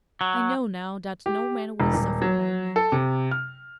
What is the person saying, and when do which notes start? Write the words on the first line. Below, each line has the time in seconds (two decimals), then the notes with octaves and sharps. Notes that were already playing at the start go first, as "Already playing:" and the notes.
'I know now that no man will suffer by me.
0.21 F#3
1.26 G4
1.80 E1
1.94 D#1
2.22 F#3
2.76 A4
2.92 C3
3.31 F6